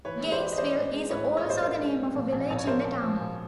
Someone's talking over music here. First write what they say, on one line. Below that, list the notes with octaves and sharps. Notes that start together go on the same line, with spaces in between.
Gainesville is also the name of a village in the town.
E3 B4 C#5
G#3
C5 D5
E3
D#5
E3 C5 D5
A1
G#3
A2 B4 C#5
G#3
C#5 D#5
A2 C5 D5
A2 A#4 C5
G#3
G#3
A#1
A#1
A#1
C#5
A#1 A#4 C5
A#1
F3
A#1